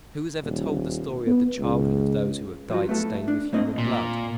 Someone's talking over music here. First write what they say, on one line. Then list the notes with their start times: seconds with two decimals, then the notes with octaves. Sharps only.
Who has ever told the story of the childhood of those who have died stained with human blood?
0.44 D#1
1.26 B3
1.59 C#2
2.70 F3 F#3 F4 F#4
2.89 A3 B3 E4 G#4 A4
3.28 D4
3.53 A3 A#3 C4 D#5
3.78 A#2